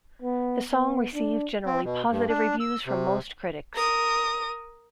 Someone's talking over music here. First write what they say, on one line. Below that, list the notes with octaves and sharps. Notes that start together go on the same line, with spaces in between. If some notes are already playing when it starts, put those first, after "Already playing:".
The song received generally positive reviews from most critics.
B3
B3
D4
C4
B2
G2
D4
E6
C3
A#4 D#6